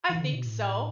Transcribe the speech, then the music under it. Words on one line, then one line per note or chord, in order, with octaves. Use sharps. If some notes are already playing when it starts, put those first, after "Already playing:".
I think so.
E3
D3
B2
A2